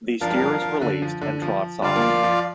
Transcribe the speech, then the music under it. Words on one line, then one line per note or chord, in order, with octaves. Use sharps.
The steer is released and trots off.
F3 D4 A#4 F5
G3
F3
F3
D3
F3
D3
F3
D3 G3 F4 D5 F5
F3 A#3
F3 A#3
F3